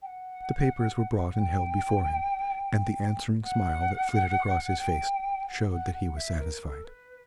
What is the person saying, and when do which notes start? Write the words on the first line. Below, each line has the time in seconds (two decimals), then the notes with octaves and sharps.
The papers were brought and held before him, and the answering smile that flitted across his face showed that he was satisfied.
0.02 G5
0.06 F#5
1.39 G5
3.43 F#5
4.79 G5
5.48 F#5
5.71 F#5
5.93 F#5
6.16 E5
6.38 A#4
6.61 A#4
6.66 A4
6.85 B4